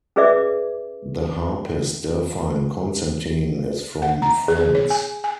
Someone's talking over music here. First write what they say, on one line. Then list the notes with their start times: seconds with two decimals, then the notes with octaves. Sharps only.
The harpist Delphine Constantin is from France.
0.16 C#4 G#4 B4 D5 E5 D6
4.02 F#5
4.22 A#5
4.48 G#4
4.75 C#5
4.90 G#5
5.24 G#5